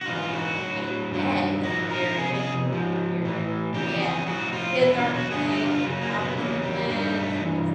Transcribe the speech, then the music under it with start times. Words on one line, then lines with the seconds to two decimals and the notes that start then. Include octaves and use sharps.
I bet, as a parent or you're you're like, "Yeah," like, "kids aren't sick, we're accomplishing plans, 'cause"
0.01 F#4
0.06 G#2 E3 F4
0.32 F#4
0.59 A2 F#3
1.11 G2 D#3 F#3
1.63 G#2 F3 F#4
1.90 A#4
2.17 F2 C3 G#4
2.33 G#4
2.69 G#2 F3
3.22 A2 E3
3.73 F2 C#3 E3 G4
3.99 G#4
4.26 A2 F3 F#4
4.52 F4
4.78 E2 B2 F#3 E4
4.97 F4
5.14 F#4
5.31 G2 D3 F#3 G#4
5.49 G4
5.66 F4
5.84 F#2 C#3 F#3
6.01 A#3
6.19 B3
6.37 E2 C#3 F#3 A#3
6.62 G3
6.88 G2 D#3 F#3 G3
7.15 A3
7.41 G2 E3